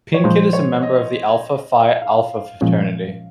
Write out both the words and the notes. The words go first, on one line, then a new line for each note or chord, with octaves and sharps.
Pinkett is a member of Alpha Phi Alpha fraternity.
C#5
A#2 F3 G#3 D#4 C5
C#5
D#5
F5
A#2 F3 G#3 C#4